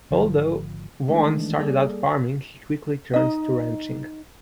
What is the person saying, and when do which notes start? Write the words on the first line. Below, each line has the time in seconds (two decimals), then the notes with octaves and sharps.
Although Vaughn started out farming, he quickly turned to ranching.
0.10 G#1 D3 F3
1.08 D#3 E3 G#3 A3 D4
1.58 G3 A#3 G#4 A4 D5
3.14 D#4 D#5